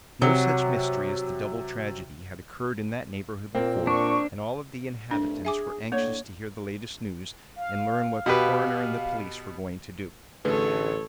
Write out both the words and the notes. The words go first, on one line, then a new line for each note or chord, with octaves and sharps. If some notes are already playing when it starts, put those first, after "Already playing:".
No such mystery as the double tragedy had occurred in that neighborhood before, and all of the inhabitants were anxious to hear the latest news and learn what the coroner and the police were going to do.
C3 F#3
A#2 A#3 C4
D4 C#6
C2 G2 A3 D4
G#4 E5 G#5 D6
A2 A#3 D4 C#5
F5
B2 G4 B4
A1 D3 A3 G#4 A4 B4 C#5